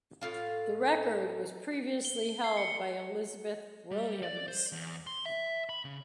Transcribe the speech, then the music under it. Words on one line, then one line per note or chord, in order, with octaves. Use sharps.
The record was previously held by Elizabeth Williams.
A2 F4 F5
G7
C7
C#7
G3
D5
C5
E2
C6
E5
B5
C#3